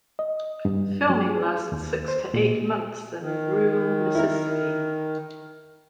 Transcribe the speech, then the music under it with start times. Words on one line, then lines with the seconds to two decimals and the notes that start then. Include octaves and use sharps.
Filming lasted six to eight months in rural Mississippi.
0.19 D#5
0.65 G2
1.10 F#3
1.29 G#4
1.72 D#2
2.08 C5
2.34 A#2
3.22 D#3
4.15 E4 A#4